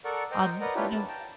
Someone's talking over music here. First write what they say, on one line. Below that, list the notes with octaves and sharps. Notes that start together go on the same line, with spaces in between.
Um, you know
A4 A#4 D5 F#5 C#6
C5 D#5 G5 A#5
A#4 B4 D5 D#5 F#5 A#5
D4 E4 F4 G4 B4 C#5
A5
G5 A5 A#5